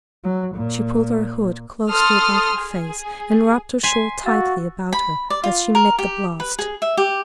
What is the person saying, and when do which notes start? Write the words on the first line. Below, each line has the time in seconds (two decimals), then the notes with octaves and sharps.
She pulled her hood closely about her face, and wrapped her shawl tightly about her as she met the blast.
0.24 F#3
0.56 A#2
1.90 A4 C6 D#6 F6
2.58 G#4
3.83 G#5 C6 B6 C7
4.26 F#4 F5 E6 A6
4.93 B5
5.30 D5
5.44 F4
5.75 A#4
5.99 G4
6.40 B4
6.59 G#4
6.82 E5
6.97 G4